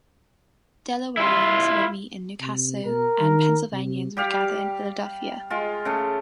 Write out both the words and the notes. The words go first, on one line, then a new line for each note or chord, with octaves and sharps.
Delawareans would meet in New Castle and Pennsylvanians would gather in Philadelphia.
E4 F4
C3
B2 A#4
D#3
C3
G3 G4 F5
G#3 F4
C#3 A3